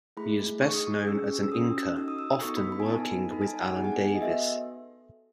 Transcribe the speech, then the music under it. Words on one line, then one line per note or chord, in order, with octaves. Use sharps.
He is best known as an inker, often working with Alan Davis.
A3 E4 G#4 B5
D#4 G#4 C#6
D#6
C#6
C#4 G#4 E6
E6
C#4 F#4 A4 D#6
D#4 F#4 A4 E6
D#6
E6
D#6
B3 D#4 F#4 A4 C#6
B5
B5
G#5
B3 D#4 A4 A5
D#4 A4 B5
G#5
A5
F#5
B3 D#4 G#4 F#5
G#5
F#5
D#5
B3 F#4 A4 E5